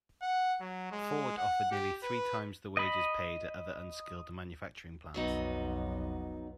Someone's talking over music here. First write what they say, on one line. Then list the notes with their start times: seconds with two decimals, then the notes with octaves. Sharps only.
Ford offered nearly three times the wages paid at other unskilled manufacturing plants.
0.22 F#5
0.61 F#3
0.92 G#3
1.37 F#5
1.71 G4
2.03 B4
2.77 D#5 B5
5.14 B1 F2 F#3 B3 D#4